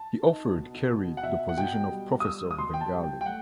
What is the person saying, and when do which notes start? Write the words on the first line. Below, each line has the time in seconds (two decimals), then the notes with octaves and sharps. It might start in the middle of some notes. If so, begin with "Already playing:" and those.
He offered Carey the position of professor of Bengali.
Already playing: A5
0.23 D#4
0.56 B2
0.90 B2
1.17 F#5
1.23 B2 E5
1.49 F#5
1.57 B2 G5
1.91 G3
2.20 D#6
2.25 G3 E6
2.51 D#6
2.58 B2 C6
2.74 G5
2.81 A5
2.93 G3
3.04 G5
3.21 G5
3.26 A3 F#5